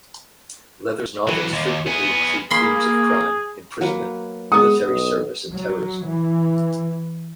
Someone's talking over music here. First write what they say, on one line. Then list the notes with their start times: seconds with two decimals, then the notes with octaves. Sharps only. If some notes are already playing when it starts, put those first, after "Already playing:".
Leather's novels frequently include themes of crime, imprisonment, military service, and terrorism.
1.28 E3 F#3
1.53 D#2
1.87 B3 G#4
2.50 A#3 G#4 B5 C6
3.81 F#3 A#3 B4
4.52 G#3 B3 F#5 D#6
4.89 B1
5.53 F#3
6.07 E3